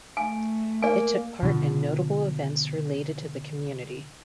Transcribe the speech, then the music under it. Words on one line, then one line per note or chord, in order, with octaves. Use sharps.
It took part in notable events related to the community.
A3 G#5
A#3 D5 G#5
B2 D3 F3